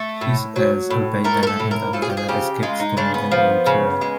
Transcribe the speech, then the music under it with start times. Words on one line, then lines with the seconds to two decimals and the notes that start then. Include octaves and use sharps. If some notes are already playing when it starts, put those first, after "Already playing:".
His heirs Ubaydallah and Abdallah escaped to modern Eritrea.
Already playing: A3
0.21 A2
0.56 F#3
0.90 A2
1.24 A3 A#4
1.43 A#4
1.47 A4
1.60 A2
1.71 A#4
1.93 F3 A4
2.02 G#4
2.10 G4
2.17 G#4
2.28 C#3 G4
2.63 G#3 F4
2.80 D#4
2.97 C#3 D4
3.14 B3
3.31 F3
3.66 C#3
4.01 G#3